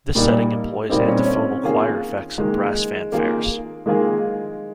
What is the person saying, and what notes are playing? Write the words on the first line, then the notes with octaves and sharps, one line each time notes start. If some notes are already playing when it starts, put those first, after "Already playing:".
This setting employs antiphonal choir effects and brass fanfares.
A#2 G3 A#3 D#4
A#2 G3 A#3 C4 D#4
C#4
C#4
D#3 A#3 F4 G#4
D#3 G#3 A#3 F4 G#4
D#3 A#3 F4 G#4
D#3 G#3 A#3 F4 G#4